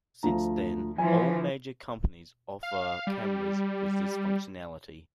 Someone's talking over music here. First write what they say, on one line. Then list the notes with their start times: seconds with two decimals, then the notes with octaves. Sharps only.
Since then all major companies offer cameras with this functionality.
0.23 D2 F3 A#5
0.98 E3 F3 G#5
2.63 F5
3.07 G3